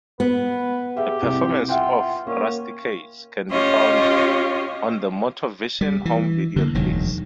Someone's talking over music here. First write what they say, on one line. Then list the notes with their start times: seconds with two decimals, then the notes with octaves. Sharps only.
A performance of "Rusty Cage" can be found on the "Motorvision" home video release.
0.20 B3 B4
0.97 G4 G#4 E5
1.22 C2
1.69 F4 E5 F#5 G5
2.27 A#3 C#4
3.50 C#4 F4 G4 C#5 D#5
5.81 G3
6.05 E3
6.56 D3 A3 A#3
6.75 E1 D2 D#3 F#3